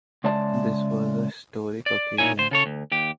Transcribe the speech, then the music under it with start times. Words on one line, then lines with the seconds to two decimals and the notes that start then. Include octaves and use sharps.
This was a historic occasion.
0.24 C#3 G#3 D5 E5 A5
1.86 D5
2.18 A#2 F3 D#4 E4 C#5 G#5
2.38 D2 C5
2.51 C#3 A4 C#5
2.66 D2
2.92 D#2 G4